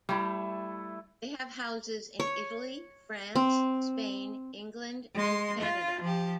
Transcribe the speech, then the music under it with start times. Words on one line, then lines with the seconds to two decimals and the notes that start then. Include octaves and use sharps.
They have houses in Italy, France, Spain, England, and Canada.
0.09 G3 A3 E4 A5
2.20 C#5
3.36 C4
5.14 G#3 C6
5.59 F4
6.01 F3 G4